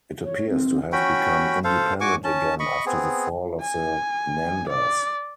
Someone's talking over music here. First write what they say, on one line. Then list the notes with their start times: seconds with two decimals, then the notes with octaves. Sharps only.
It appears to have become independent again after the fall of the Nandas.
0.24 C#5
0.50 C4
0.92 C#4 F#4 G5 B5
1.64 A4 C5 F5
2.01 F#4 G#5 C#6 D6
2.24 C#4 A5
2.60 D#5 B5 C#6
2.86 B3 C4 G#4
3.61 G#5
4.69 D5